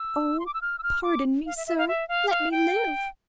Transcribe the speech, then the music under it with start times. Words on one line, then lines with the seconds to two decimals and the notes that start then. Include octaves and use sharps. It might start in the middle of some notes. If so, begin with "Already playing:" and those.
"Oh, pardon me, sir; let me live!"
Already playing: E6
0.40 C6
0.46 D6
0.54 E6
0.62 F6
0.79 E6
0.83 F6
1.03 D6
1.46 F5
1.57 E5
1.67 E5
1.78 F5
1.88 E5
2.09 F5
2.30 F5
2.52 G5